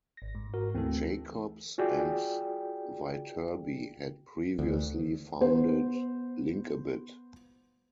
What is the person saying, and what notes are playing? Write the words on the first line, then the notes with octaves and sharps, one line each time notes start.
Jacobs and Viterbi had previously founded Linkabit.
G#1 A#6
G#2
F#4 A#4
D2 E3 A3 C4 A4
F4 F#4 G#4 D5 G5
D2
B3 C5